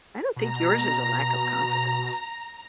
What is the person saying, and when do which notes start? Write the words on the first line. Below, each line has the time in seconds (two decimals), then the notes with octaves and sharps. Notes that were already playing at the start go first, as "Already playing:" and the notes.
I don't think yours is a lack of confidence.
0.36 B2 A#5